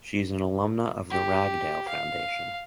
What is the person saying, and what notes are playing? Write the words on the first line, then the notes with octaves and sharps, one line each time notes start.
She is an alumna of the Ragdale Foundation.
G4
F5